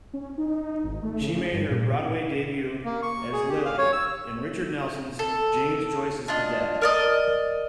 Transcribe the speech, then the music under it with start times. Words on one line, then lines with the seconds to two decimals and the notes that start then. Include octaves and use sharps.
She made her Broadway debut as Lily in Richard Nelson's "James Joyce's The Dead".
0.14 C#4
0.38 D#4
0.84 G#1
1.03 A3
1.21 C#3
1.53 G2
1.70 A#2
2.85 A#3
3.02 C#6
3.33 G#4
3.49 G4
3.65 F5
3.78 C#5
3.93 E6
5.19 A4
6.28 D4 F4 D#5
6.82 A#4 D5 D#5